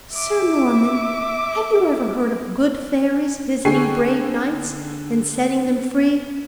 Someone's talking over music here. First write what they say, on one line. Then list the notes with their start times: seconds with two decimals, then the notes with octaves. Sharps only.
"Sir Norman, have you ever heard of good fairies visiting brave knights and setting them free?"
0.13 E5 D6
3.65 D3 G#4 G5 G#5 C#6 C7